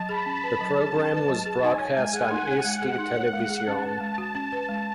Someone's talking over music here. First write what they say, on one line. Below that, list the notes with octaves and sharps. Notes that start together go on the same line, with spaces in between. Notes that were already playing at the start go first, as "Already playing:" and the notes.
The programme was broadcast on Eesti Televisioon.
Already playing: F#3 A5
G#4 B5
C#4
B4
F#3 A5
G#4
C#4
B4
F#3
G#4
D#4 G#5
C#5
G#3
G#4 F#5
D#4
C#5
G#3 F#5
G#4
D#4
C#5 F#5
G#3
G#4
C#4 A5
B4
G#3
F#4
C#4
B4
G#3